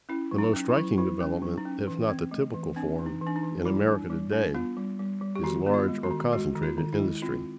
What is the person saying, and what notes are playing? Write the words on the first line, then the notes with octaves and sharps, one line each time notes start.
The most striking development, if not the typical form, in America to-day is large or concentrated industry.
C#4 E4
F#3
D#4
C#4
E4
F#3
F#3 E4
C#4
F#3
D#4
C#4
E3
C4
A3
E3
C4 D4
E3
D#4
E3
D4
D#4
E3
G3 E4
D4
G3
D4
B3 F4
G3
G3
G3
G4
D#3 F#4
B3
F4
G#3
F#4
D#3
G#3 F#4
D#3
F4
D#3
E4
G#3
C4 F4